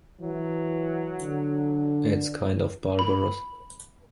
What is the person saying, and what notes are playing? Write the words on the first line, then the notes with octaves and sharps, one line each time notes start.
It's kind of barbarous.
E3 F#3
D3
B5